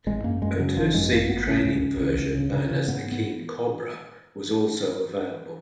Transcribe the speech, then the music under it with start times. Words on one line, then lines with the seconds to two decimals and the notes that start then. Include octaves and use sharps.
A two-seat training version, known as the King Cobra was also available.
0.06 G#1 G#3
0.24 F#2 A#3
0.42 F#2 G#3
0.59 C#3 F#3
0.76 G#1 F3
0.94 F#2 G#3
1.12 G#1 A#3
1.29 G#1 B3
1.47 C#2 C#4
1.65 C#2
1.82 C#2
2.00 C#2
2.18 C#2
2.35 C#3
2.52 C#3
2.71 C#3
2.88 G#2 B3
3.12 B3